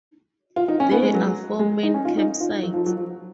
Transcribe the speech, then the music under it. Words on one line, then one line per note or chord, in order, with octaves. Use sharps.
There are four main campsites.
F4
D#4
C#4
B3
G#3
F#3
G#3
D#4
C#4
F4
D#4
F4
D#4
F#3
F3
F#3
F3